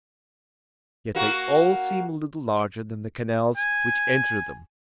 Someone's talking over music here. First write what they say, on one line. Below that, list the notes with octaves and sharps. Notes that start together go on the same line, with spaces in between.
Yet they all seem a little larger than the canals which enter them.
A#3 F#4
G#5